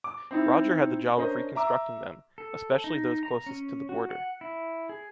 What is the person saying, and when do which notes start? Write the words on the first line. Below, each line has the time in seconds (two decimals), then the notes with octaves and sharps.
Roger had the job of reconstructing them, especially those closest to the border.
0.04 D6
0.31 C4 D#4 E4
1.16 C#4 D4 A#4 C5 D#5
1.55 E5 A#5 D6 E6
2.38 A4
2.84 D#4
3.23 A#5
3.46 C#4
3.89 F#4
4.10 F#5
4.41 E4
4.89 G#4